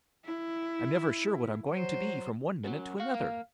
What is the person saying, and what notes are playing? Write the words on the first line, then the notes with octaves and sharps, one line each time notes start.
I'm never sure what I'm going to be, from one minute to another!
E4
F#3 C5
F#2 F#3
F#4 F5 F6
A#3